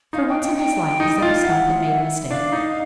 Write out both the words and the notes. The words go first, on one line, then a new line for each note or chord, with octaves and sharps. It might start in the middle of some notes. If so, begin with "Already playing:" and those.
For once in his life, Zeb Stump had made a mistake.
D#4 F5
G5
G5
G5
D#4
F4
E4 F#5
D4 F5
D#4